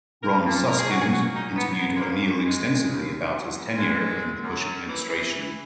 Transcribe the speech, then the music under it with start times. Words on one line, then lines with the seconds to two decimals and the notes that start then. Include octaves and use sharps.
Ron Suskind interviewed O'Neill extensively about his tenure in the Bush Administration.
0.23 A#2 A#4
0.44 A#2
0.66 A#2 A#4
0.77 G#4
0.88 F#3 F#4
1.00 G#4
1.11 A#2 F#4
1.33 F#3 D#4
1.56 F#3 B3
1.77 A#2 B3
1.94 G#3
1.99 C#3 A#3
2.21 D#2
2.43 D#2 G#3
2.65 D#2
2.88 D#2
3.10 D#2
3.32 F#3
3.54 C#3
3.76 E3 G#3
3.98 F#2
4.21 F#2
4.42 F#2
4.65 F#2
4.87 E3
5.09 E3
5.32 E3